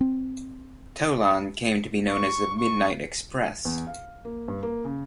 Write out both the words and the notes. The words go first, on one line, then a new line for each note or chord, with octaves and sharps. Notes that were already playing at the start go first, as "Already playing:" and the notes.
Tolan came to be known as the "Midnight Express".
C4
C#6
C#6
E2
F5
A#3
G2
A#3
C#3